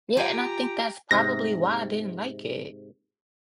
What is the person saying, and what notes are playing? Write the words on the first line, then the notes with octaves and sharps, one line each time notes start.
Yeah, and I think that's probably why I didn't like it.
F4 G4 G5 G#5 A#5
G#2 C3 A#6